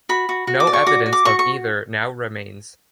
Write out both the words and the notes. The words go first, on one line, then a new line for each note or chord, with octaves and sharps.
No evidence of either now remains.
F#4 B5
F#4
F#4
D6
D5
C#6
F#4 D6
F#4
D6
F#4 C#6
C#6